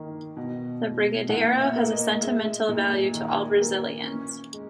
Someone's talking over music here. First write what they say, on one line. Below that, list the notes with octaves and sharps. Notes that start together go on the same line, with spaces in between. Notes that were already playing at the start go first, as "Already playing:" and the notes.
The brigadeiro has a sentimental value to all Brazilians.
Already playing: D#3 A#3
B2
B2
A#2 F#5
E5
A#3
D#5
G#3 E5
A#2
D#3
A#3
C#4
G#3